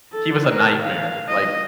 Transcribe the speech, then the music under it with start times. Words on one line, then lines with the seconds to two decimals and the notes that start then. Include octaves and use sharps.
he was a nightmare, like,
0.13 A4
0.50 A#4
0.83 F5
1.29 D#5